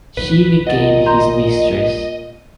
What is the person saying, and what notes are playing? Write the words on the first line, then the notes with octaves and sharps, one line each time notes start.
She became his mistress.
A#1 D#2 F#3 B4
A#2 D#5 F#5 A6
A#5 C6 G6